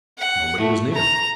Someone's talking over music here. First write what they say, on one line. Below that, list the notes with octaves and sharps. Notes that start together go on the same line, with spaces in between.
Nobody was near.
F#5
A3
A#5